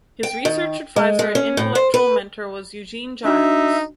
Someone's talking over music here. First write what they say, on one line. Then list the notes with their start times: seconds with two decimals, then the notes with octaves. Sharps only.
His research advisor and intellectual mentor was Eugene Giles.
0.23 G5
0.45 D#3
0.96 G#3
1.19 G#3
1.35 C#4
1.57 A2
1.75 C5
1.94 B4
3.25 D4 D#4 F#4 E5